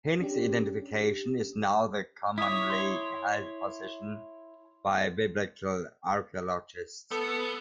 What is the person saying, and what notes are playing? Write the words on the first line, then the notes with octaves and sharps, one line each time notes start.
Hincks' identification is now the commonly held position by biblical archaeologists.
C#4 D4 G4
E4 C#5 D6 D#6 B6
C6
B3 A4